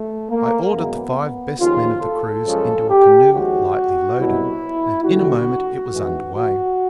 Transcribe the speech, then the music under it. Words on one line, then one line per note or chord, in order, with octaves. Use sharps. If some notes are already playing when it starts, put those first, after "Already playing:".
I ordered the five best men of the crews into a canoe lightly loaded; and in a moment it was under way.
Already playing: A3
A#3
F#2 C#3 E3 G#3 B3
D#2 C#3 F3 F4
A4
F#2 C#3 F3 G#3
G4
D#2 C#3 F3 G#3 F#4
C2 B2 F#3 E4
D#2 D3 G3 F#4
A1 G#2 E3 G#3
F#4